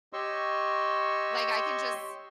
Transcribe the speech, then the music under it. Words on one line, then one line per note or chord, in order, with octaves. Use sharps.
like, I can just,
G4 C#5 D#5 C6 C#6 E6